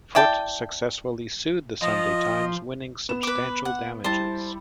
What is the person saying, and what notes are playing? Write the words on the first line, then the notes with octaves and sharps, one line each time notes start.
Foot successfully sued the "Sunday Times", winning "substantial" damages.
E4 D5 G5 A5
F3 D#5
B3 E7
B4 D6
F#5
G3 E4 C5 A5